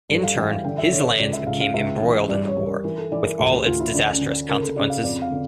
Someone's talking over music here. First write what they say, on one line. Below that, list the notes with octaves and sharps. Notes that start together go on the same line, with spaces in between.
In turn, his lands became embroiled in the war, with all its disastrous consequences.
G2 A4
F5
E3 G5
F5
D3 G5
E5
D3 C#5
C#5
C#2 D5
E5
C#2 F5
F5
C#2 E5
E3
G2 D5
C#5
G2
A#4
E3 A#4
A4
E3 D5
A#4
D2 A4
G4
D2 F4
E4
D3 D4
C#4
D3
C#3 A#4
A4
C#3 D5
F5
F2 D5
F5
D3